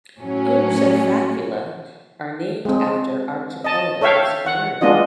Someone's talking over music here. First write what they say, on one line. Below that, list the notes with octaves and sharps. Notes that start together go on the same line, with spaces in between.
Groups of faculae are named after archipelagos on Earth.
A2 F#3 C#4
G#3 C4
D#5 A5
A4 C#5 E5 F5 G5
F#5
G#3 B3 D4 F4 D#5